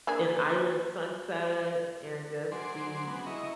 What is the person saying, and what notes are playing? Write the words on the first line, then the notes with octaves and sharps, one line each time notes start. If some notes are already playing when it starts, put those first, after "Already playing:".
an island sunset and just the
A#3 D4 G#4
F#3 G#4 C5 C6 D6
G#3 B3 F#4
E4 D#5 A#5 C#6